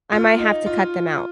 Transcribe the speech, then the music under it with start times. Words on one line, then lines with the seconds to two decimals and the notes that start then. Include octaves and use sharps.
I might have to cut them out
0.13 F4
0.39 D#4
0.66 F4